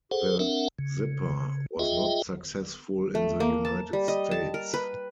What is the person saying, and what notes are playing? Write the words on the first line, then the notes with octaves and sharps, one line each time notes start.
The Zipper was not successful in the United States.
G#4 A4 C5 F#5
C4 D4 A#4 E5 F#5
C#3
F4 G#4 D#5 E5 G5
A3
A#3
A5
G3
D#5
A5
A#4
B4